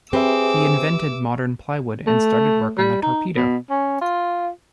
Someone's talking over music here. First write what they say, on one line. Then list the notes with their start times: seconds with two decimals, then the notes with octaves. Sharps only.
He invented modern plywood and started work on the torpedo.
0.13 C4 G4 G#4 B4 E5 D6 E6
2.07 A3
2.78 G3
3.03 D#4
3.36 B2
3.70 C#4
4.01 F4